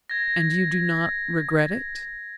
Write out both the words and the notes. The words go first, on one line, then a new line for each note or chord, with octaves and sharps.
"And you do not regret it?"
G#6 A#6